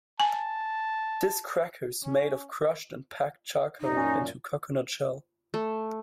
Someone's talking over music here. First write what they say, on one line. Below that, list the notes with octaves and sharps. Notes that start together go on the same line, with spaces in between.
This cracker is made of Crushed and packed charcoal into Coconut shell.
G#5 A5
C#4
F#2 A#2 D#4
C#4
A3